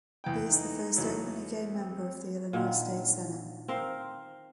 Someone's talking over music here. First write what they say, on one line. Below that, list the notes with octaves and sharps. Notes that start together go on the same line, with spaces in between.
He is the first openly gay member of the Illinois State Senate.
E2 G5
D#4
E2 F#3
C4
A#2 D3 D#3
C4 A#4 F5